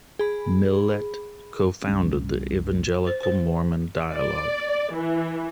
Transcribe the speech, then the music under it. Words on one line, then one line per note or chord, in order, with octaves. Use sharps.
Millet co-founded the evangelical-Mormon dialogue.
G#4 B5
C2 G3 C#4
C5
C5
D5
E3